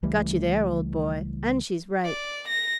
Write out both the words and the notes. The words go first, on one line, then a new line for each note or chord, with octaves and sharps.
'Got you there, old boy, and she's right.
C#2 E3 G3 A3
D5
A#6